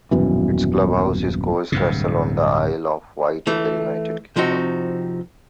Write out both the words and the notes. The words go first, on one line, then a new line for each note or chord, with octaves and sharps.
Its clubhouse is Cowes Castle on the Isle of Wight in the United Kingdom.
D#1 F#2 B2 E3
D1 G2 C3
E3 A3
C3 F3 C4 D#4 F#4